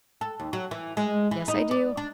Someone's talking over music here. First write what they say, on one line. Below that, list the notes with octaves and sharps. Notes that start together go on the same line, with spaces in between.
"Yes, I do."
A4
D#2
F#3
E3
G#3
E3
D#4
D5
D4